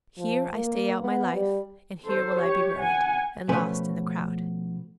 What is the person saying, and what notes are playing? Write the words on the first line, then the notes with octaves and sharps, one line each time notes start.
Here I stay out my life; and here will I be buried, and lost in the crowd.'
F3
A#3
B3
G3
A4 C5
G4 C#5
F#5 G#5
B2 F3 A3 C#4 B4 G#5